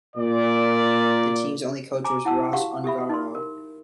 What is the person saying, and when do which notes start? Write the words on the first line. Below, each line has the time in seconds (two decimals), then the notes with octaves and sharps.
The team's only coach was Ross Ongaro.
0.16 A#2 D5
2.04 G#5 A#5 D6
2.25 E4 F#5 A5 E6
2.53 F#4 G4 F5 F#5 C#6
2.84 G4 A4 E5 B5
3.09 D#4 C6
3.35 A#4